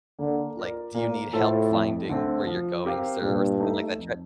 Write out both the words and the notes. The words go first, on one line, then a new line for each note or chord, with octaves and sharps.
like, "Do you need help finding where you're going, sir?" or something like that try
D3 A#3
F4 A#4 D5
A#2 A#3
A2 F4 A4 C5
F2
D3 A3 C4
F3
C4 G4 A#4 F5
G2 A#2
A3 D#4
F2